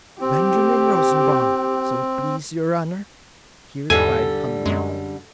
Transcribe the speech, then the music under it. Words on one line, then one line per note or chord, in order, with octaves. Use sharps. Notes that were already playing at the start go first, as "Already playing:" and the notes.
"Benjamin Rosenbaum, so it please your Honour," he replied humbly.
C4 G4
E2 G#2 D3 G3 A4 G#5
F#2 G#3